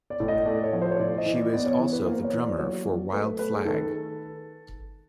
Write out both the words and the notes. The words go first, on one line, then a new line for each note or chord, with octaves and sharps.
She was also the drummer for Wild Flag.
D5
A2
D#5
A3 D5
C#5
F3
C5
C#5
A2 D5
D#5
E3
D5
B3 D5
C#5
E3 C#5
B4
A#3 C5
C#5
E3
D5
F#3 C#5
F#3
A3 B4
A3 B4
G#4
D#3 A4